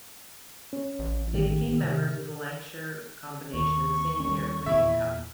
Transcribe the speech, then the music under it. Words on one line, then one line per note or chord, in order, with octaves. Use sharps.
They became members of the Lancashire Combination in the same year, winning a cup.
C#4
A1
A2 D#3 G4
C3
D#2 C#6
G3 A#3 C#4
E2 A#2 E4 E5